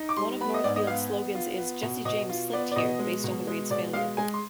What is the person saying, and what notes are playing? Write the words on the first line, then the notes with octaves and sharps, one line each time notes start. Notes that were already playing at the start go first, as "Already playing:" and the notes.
One of Northfield's slogans is "Jesse James Slipped Here", based on the raid's failure.
Already playing: D#4
D6
G3 C6
B3 B5
D#5
G#2 D5
D#5
B3 F5
B3
F4
B3
B2
B2 D#5
F4
B3 D5
D5
B2 D#5
G#3
B2
G#3
B2 D5
G#3 F5
G#3 G#5
C6